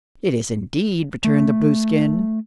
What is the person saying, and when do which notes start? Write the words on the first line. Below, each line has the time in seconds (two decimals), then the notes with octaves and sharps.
"It is, indeed," returned the Blueskin.
1.24 A3